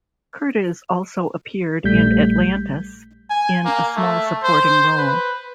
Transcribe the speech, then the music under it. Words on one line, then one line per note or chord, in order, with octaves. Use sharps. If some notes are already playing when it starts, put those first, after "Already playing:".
Curtiz also appeared in "Atlantis" in a small supporting role.
A#1 G3 A3 G6 B6
G#5
A#3
A3
C5
B4